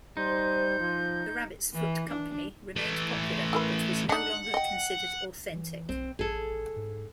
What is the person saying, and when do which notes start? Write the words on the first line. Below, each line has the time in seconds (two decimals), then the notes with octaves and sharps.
The Rabbit's Foot Company remained popular, but was no longer considered authentic.
0.17 G3 D#4 C5 G6
0.80 F3
1.73 E3
2.08 D4
2.76 E3 A3
3.53 E4 A#4 B4
4.09 D4 D#4 F#5
4.54 D#5 G5
5.53 E3
5.89 B1 C4
6.19 A1 G#4 A4
6.76 G#2